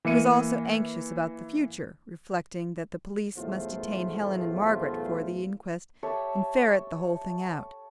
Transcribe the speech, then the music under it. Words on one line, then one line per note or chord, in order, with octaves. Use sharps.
He was also anxious about the future, reflecting that the police must detain Helen and Margaret for the inquest and ferret the whole thing out.
E3 A#3 E5 C#7 D#7
B1 E2 A2 A3 F4 C5
G4 A4 C#5 E5